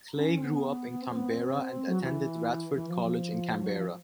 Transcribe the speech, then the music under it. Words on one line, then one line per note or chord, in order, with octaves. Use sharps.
Clay grew up in Canberra and attended Radford College in Canberra.
C#4
C4
B3
C4
B3
C4
F#3
E3
E3
F3
F#3
F3
F#3
F3